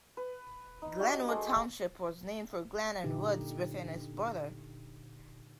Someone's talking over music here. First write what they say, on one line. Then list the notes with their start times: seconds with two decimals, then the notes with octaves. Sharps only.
Glenwood Township was named for the glen and woods within its borders.
0.17 B4
0.82 D#4
1.00 D4 F#4 G4
1.28 G#3 A4 C5 D#5
3.04 A#2 D3 D#4 G4